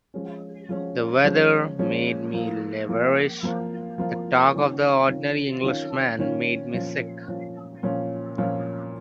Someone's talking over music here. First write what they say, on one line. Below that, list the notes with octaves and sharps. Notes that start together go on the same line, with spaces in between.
The weather made me liverish, the talk of the ordinary Englishman made me sick.
F3 G#3 C#4
F3 G#3 C#4
F3 G#3 C#4
F3 G#3 C#4
F3 A#3 F4
F3 A#3 F4
F3 A#3 F4
F3 A#3 F4
D#3 C#4 F4
D#3 C#4 F4
D#3 C#4 F4
D#3 C#4 F4
A#2 F3 C#4 F4
A#2 F3 C#4 F4
A#2 F3 C#4 F4
A#2 F3 C#4 F4